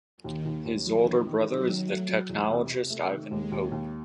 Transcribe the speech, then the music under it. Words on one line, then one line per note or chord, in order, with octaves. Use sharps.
His older brother is the technologist Ivan Pope.
D#2 D#3
D#2
D#2
E3 F#3
D#3
D#3
F#3 D#4
D#3
A3
F#3
E2
C3
C3
A3
D#3
D#2 G#3
D#2
D#2